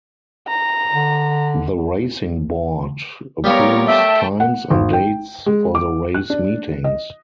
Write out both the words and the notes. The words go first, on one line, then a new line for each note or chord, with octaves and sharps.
The Racing Board approves times and dates for the race meetings.
A#5
D3
G3 B3 F4 A#4 C#5
A3 E5 G5 A5
F#5
G#1
G5
G#3
D6
F#6
D4
D#5